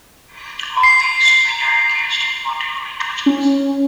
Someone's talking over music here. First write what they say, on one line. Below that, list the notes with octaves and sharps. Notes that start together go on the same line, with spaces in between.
Of these, many are engaged in "political intelligence".
C7
C#4